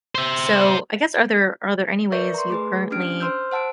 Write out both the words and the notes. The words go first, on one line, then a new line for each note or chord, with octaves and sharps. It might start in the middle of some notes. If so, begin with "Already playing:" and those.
So, I guess are there are there any ways you currently,
C5 E5
A#4 B4 D5 E5 C#6 G6
A#5 C6
A3 G#4 B4
C#4 D4 G4 F6 D7
C5 C6 E6 F6 G6
C5 F#5 A5 E6 D7